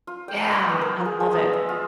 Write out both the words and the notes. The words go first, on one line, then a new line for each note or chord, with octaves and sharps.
yeah. I love it.
F4
G5
G5
B3
A#4
G#4
G#3
B3
E5
F4